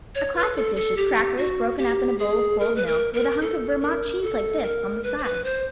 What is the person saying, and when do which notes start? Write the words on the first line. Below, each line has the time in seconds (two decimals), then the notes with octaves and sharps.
A classic dish is crackers, broken up in a bowl of cold milk, with a hunk of Vermont cheese like this on the side.
0.15 C#5
0.35 B4
0.56 A4
0.76 A4
0.97 G4
1.37 F#4
1.78 G4
2.19 G#4
2.59 A#4
2.76 B4
2.86 A#4
3.14 A#4
3.41 A4
3.81 A#4
4.22 A4
4.63 A#4
5.03 B4
5.19 C5
5.24 B4
5.44 C5